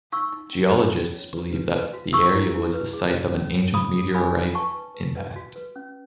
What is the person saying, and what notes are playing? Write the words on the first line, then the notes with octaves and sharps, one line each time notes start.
Geologists believe that the area was the site of an ancient meteorite impact.
D#4 C#6 E6
D#4
C#4
C#5
C#4
C#5
B4
B4
B4
F#4
G#4 C#6 E6
E4
E4
B4
G#4
C#5
C#4
C#5
D#4 B5 D#6
G#4
C#5 G#5 B5
D#4
B4 A5 C#6
B4
B4
B4
F#4
B4
C#4